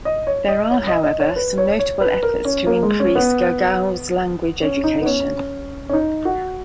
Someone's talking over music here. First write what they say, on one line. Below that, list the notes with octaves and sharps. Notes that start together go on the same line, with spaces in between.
There are, however, some notable efforts to increase Gagauz language education.
D#5
C#5
D#5
C#5
D#5
D#5
C#5
B4
C#5
C#5
B4
A#4
C#4
A#3
G#3
C#4
B3
C#4
D#4
B3
C#4
C#4
D#4
F#4